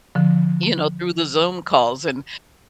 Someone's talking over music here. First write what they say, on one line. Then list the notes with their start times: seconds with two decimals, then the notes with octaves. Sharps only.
you know, through the Zoom calls and
0.15 D3 F3